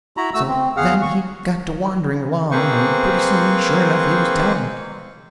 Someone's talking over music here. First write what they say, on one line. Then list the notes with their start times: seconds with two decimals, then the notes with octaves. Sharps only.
So then he got to wandering along, and pretty soon, sure enough, he was telling!
0.17 E4 F#4 A#5 B5
0.34 A3 F#4 E6
0.48 C4
0.77 E2 G#4 F5 F#5 F6
1.02 C#6
2.51 A#3 C4 G#4 B4 C5 C#6